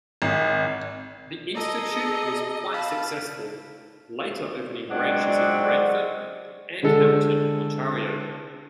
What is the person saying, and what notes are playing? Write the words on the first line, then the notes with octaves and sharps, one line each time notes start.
The Institute was quite successful, later opening branches in Brantford and Hamilton, Ontario.
G#1
G#4 A4 D#5 A#5
F5 A5 B5
F#3 G#3 C4 D4 F#4 D5
D3 G#3 A4